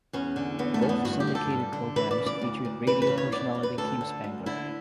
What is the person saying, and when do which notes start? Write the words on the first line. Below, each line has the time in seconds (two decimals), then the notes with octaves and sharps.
Both syndicated programs featured radio personality Kim Spangler.
0.13 E2 C#4
0.36 D3
0.59 E2 B3
0.74 A3
0.81 D3 C#4
0.89 B3
1.05 G2 F#4
1.20 G4
1.27 D3
1.35 A4
1.50 G2
1.73 D3
1.96 E3 B4
2.11 D5
2.19 C#3
2.26 D5
2.41 D2
2.65 D2
2.87 E3 B4
3.02 B4
3.09 C#3
3.18 C#5
3.32 E2 D5
3.55 E2
3.63 B4
3.78 D2 A4
4.01 D3
4.24 D2
4.46 D3 E4